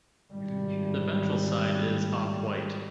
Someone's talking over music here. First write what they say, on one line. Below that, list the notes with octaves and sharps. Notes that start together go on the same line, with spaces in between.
The ventral side is off-white.
G#1 G3